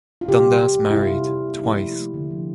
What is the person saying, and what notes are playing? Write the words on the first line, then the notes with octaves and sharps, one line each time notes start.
Dundas married, twice.
F4
C3 G4
G3
C3
C3
E4
C3 F4
C3
C3
A#3
F3 E4
A3
A3
D3
F3